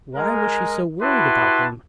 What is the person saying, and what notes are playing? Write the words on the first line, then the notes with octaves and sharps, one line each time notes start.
Why was she so worried about him?
G#3 A#4
E4 F#4 G4 B4 A5 C6